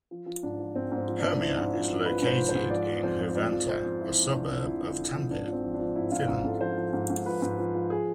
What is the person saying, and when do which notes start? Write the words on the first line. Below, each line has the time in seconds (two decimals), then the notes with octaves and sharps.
Hermia is located in Hervanta, a suburb of Tampere, Finland.
0.11 F3
0.26 F3
0.43 G#2 D4
0.59 F3
0.75 G#2 C4
0.92 G#2
0.97 C4
1.08 F3
1.19 G#2 D4
1.40 F3 E4
1.57 G#2
1.73 F3
1.90 F3
2.05 F3 B4
2.22 G#2 C5
2.38 F3
2.49 C5
2.55 G#2
2.70 F3 D5
2.87 F3
3.03 F2 C5
3.19 F2
3.35 F2 D5
3.52 F3
3.68 F2 C5
3.85 F2
4.01 F3 E4
4.17 F2
4.33 F2 D4
4.50 F2
4.66 F3 E4
4.82 D3
4.98 D3
5.15 F2
5.31 G#2 D4
5.47 F3
5.52 C4
5.63 F3
5.74 D4
5.80 F3
5.96 G#2 E4
6.12 G#2 F4
6.28 G#2
6.44 G#2 A4
6.61 F3 C5
6.77 F3
6.93 G#2
7.10 G#2
7.26 F3 B4
7.42 G#2
7.59 F3
7.75 F3
7.90 G#4